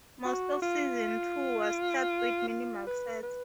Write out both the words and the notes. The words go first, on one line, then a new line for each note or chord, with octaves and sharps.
Most of Season Two was taped with minimal sets.
F#4
F4
F4
B4
B4